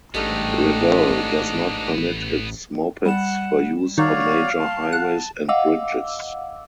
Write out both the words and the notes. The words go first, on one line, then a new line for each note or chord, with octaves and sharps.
Revel does not permit its mopeds for use on major highways and bridges.
A1 G#2 G3 A3 B3 D4 D#4 D#5
G3 F#5 E7
D#3 F#4 C#5 D5 F5
A5
F#5
D#5 F5 F#5 D6 E6